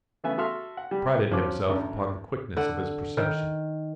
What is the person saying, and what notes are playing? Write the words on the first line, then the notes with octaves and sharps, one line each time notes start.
He prided himself upon the quickness of his perception.
C#3 E3 A3 B3 E5 G#5
F#4 A4 E5 C6 D#6 F6
F#5
G3
G#1 F3 F#3 C#4 D6
A1 D2
D3 F#5
D#3